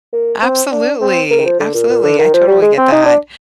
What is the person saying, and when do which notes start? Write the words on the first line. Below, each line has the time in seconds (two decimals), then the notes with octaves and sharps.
Absolutely, absolutely, I totally get that.
0.13 A#3
0.42 C4
0.71 D4
1.01 C4
1.31 A#3
1.40 D#3
1.45 F3
1.60 D3
1.74 A#2
1.89 A#2
2.03 D3
2.19 D#3
2.34 F3
2.47 G3
2.62 G#3
2.77 C4
2.92 D#4
3.06 D4